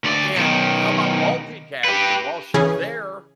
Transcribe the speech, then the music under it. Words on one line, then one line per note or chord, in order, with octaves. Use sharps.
And how about multitasking? While she's there
D2 D5
B1 D#3
G4 B4
C#3 E3 C#4 G#4